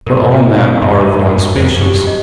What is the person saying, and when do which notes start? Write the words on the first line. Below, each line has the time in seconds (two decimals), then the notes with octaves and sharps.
But all men are of one species.
0.06 A2 A#4
0.31 A#2 F#4
0.56 B2 C#5
0.82 G2 E5
1.01 G#2
1.07 A#4
1.19 A2
1.31 F#4
1.38 G2
1.56 F2 C5
1.76 F#2
1.81 G4
1.94 G2
2.07 D#5